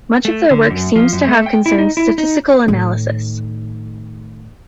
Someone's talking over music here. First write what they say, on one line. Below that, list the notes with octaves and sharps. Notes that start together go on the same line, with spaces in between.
Much of their work seems to have concerned statistical analysis.
A3
D3
F#2
F3
F#2
A3
G5
E4
D#4
E4
D#4
A2 D#3